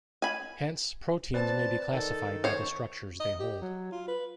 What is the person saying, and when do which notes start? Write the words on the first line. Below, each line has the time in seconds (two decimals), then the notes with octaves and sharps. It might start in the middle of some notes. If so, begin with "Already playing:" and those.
Hence, proteins may be classified by the structures they hold.
0.22 G#5 B5
1.34 C4 B4 D5 A5
1.92 D#3 A4
2.44 C5 C#5 C#6
3.20 D#5
3.40 G4
3.62 F#3
3.92 F4
4.08 B4